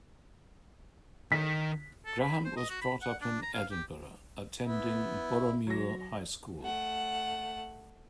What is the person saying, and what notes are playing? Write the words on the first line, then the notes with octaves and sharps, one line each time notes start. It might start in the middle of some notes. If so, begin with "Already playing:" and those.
Grahame was brought up in Edinburgh, attending Boroughmuir High School.
D#3 B6
A4
B5
C5
D#5
F#4
B5
F#5
D4
A#5
F5
G4
B3 E4
F#3 A#6
A3 F#5